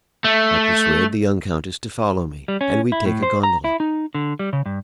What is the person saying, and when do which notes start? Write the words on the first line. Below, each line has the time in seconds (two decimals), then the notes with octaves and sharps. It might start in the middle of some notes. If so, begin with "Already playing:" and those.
I persuade the young countess to follow me, and we take a gondola.
0.24 A3
2.48 G3
2.61 C#4
2.92 E4
3.06 A2
3.23 C5
3.43 A#5
3.64 E4
3.80 D#4
4.15 D3
4.39 G3
4.53 C#3
4.66 G2